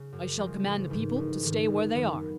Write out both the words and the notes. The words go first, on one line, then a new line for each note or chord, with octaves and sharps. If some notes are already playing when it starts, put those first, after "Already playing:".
"I shall command the people to stay where they are."
Already playing: C#3
F#2
C#3 F3 G#3
A1
G#2 D#3
A1
G#2 D#3
G1
F#2 D#3 F#3 B3